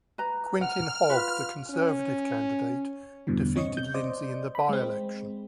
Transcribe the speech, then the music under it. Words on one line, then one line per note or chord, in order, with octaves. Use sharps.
Quintin Hogg, the Conservative candidate, defeated Lindsay in the by-election.
B4 A#5
F#5 F6
F4 B4
C#4
E2 G2 B2 D3 E3
C4 C#5 D#5 C#6
G6
C5 D5 D#5
B5
G#3 C4